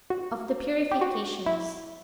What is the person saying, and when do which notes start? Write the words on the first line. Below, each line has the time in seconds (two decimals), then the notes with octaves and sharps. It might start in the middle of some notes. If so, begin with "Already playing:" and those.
Of The Purifications.
0.10 F#4
0.92 G4
1.01 F#4
1.46 E4